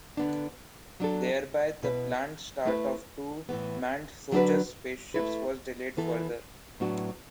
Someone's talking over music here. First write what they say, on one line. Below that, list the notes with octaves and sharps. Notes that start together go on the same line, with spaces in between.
Thereby, the planned start of two manned Sojus spaceships was delayed further.
D3 B3 D4
F#3 D4 A4
B2 B3 E4 B4
A3 E4 B4
A2 E3 B3
D3 F#3 D4 F#4 B4
A3 E4 B4
E3 B3 E4 A4
A2 F#3 B3 D4 F#4